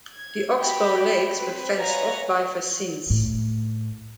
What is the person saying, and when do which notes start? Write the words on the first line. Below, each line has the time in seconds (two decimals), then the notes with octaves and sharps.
The oxbow lakes were fenced off by fascines.
0.14 G#6
0.59 F#4 G4 G5 B5
1.36 C4 B4
1.77 B4 C#5 F5 F#5 G#5 A#5
3.10 A2